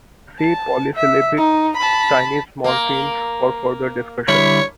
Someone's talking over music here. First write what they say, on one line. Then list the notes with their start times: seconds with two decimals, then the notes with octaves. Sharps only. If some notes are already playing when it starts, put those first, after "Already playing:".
See polysyllabic Chinese morphemes for further discussion.
0.40 A5
0.96 E5
1.37 D#4
1.77 A5 B5
2.64 A#3
4.28 D3 G3 E4 C#5